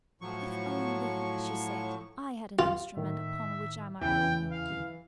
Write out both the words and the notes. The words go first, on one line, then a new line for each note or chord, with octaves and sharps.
"If only," she said, "I had an instrument upon which I might play."
A2 F3 F#3 C#6
F4
A2 D#3 E5
E2 C#3 E3 G5
F5